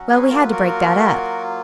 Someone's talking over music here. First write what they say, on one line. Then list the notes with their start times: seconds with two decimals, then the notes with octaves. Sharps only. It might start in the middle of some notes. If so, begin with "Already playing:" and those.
Well, we had to break that up.
Already playing: F#3 C#4 F#4
0.09 G#4 B4
0.29 F#3 A#3 F4 A#4
0.40 B4
0.52 F#4 A#4